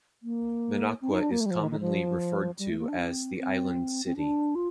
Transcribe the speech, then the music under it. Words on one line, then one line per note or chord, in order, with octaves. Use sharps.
Minocqua is commonly referred to as The Island City.
A#3
C4
D#4
D4
A#3
A3
G3
F3
D#3
D#3
F3
G3
A3
A#3
D4
C4
C4
C4
D4
F4